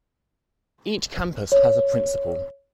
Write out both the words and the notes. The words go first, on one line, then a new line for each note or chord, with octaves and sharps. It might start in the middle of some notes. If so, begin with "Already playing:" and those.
Each campus has a Principal.
C#5